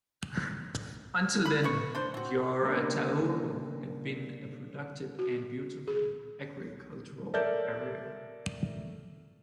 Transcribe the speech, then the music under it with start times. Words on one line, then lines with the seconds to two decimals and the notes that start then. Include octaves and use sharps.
Until then Gioia Tauro had been a productive and beautiful agricultural area.
1.46 B5
1.63 D#4 B4 C#6
1.95 D4 C5
2.14 C4 F#4
2.62 C#3 G3 A#3 D4 A#4
5.19 F#4
5.87 G#4
7.34 A4 A#4 C#5 D5 E5 G6